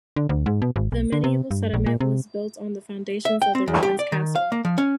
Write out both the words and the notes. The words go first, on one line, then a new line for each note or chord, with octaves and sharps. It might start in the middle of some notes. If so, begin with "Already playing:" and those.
The medieval settlement was built on the foundations of the Roman castle.
D3
D2
G#2
B2
G#1
B1
D3
C3
G2
A#1
A#2
C3
E5
G5
C4
E2
G4
D5
D#3
F5
A#3
F3
C#4